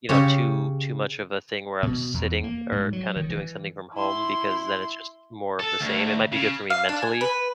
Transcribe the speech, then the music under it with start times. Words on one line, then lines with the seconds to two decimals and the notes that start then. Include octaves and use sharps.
you know, too too much of a thing where I'm sitting or kinda doing something from home because then it's just more of the same. It might be good for me mentally,
0.09 C#3 G4 C#5
1.83 B2
2.14 E2
2.44 A#3
2.72 G#2
2.93 F#3
3.16 D#3
3.30 E3
3.95 E4 C6
5.60 A4
5.81 D2
6.32 C#3
6.70 F5
6.89 D4
7.02 G#5
7.21 B4